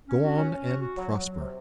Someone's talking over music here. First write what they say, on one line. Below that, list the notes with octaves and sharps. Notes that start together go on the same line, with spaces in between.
Go on and prosper!'
C#4
F#4
C#4
C#4
F#4
F#4
F#3
F#3
F#3
C3